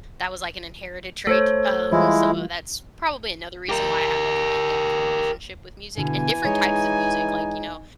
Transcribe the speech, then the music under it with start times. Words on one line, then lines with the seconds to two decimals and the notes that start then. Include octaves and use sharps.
that was like an inherited trait. Um, so that's probably another reason why I have, like, an in-depth relationship with music, and different types of music. Like, you know,
1.27 A3 A4 C5 C#5
1.92 E3 G3 G#3 E4 F4
3.69 G4 A#4
5.98 B2 D3 E3 G#5
6.45 G#3 D#4 C#5